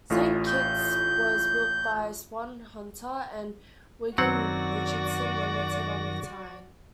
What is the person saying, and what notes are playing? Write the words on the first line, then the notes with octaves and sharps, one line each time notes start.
"Saint Kitts" was built by Swan Hunter and Wigham Richardson Limited on the Tyne.
A1 A2 F4
G6
F#2 D#3 F#3 C4 F#4 D5 F#5 A#6